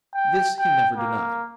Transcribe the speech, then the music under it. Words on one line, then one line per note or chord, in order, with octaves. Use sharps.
This he never denied.
G5
G5
A#3